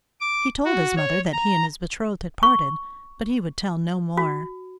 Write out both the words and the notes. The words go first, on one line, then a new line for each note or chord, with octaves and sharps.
He told his mother that he and his betrothed had parted; but he would tell no more.
D6
F#4
C#5
A#5
C#6
F#4